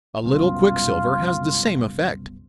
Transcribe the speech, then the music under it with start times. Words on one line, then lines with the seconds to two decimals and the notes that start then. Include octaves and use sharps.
A little quicksilver has the same effect.
0.23 C2 F#2 B2 F4